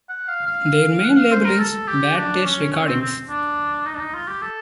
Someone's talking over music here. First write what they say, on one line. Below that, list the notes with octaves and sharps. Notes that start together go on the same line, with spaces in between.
Their main label is "Bad Taste Recordings".
F#5
F5
F5
F#5
F5
C5
A#4
A4
G4
D4
C#4
C#4
C4
C4
D4
D#4
D4
D#4
F4
G4
A4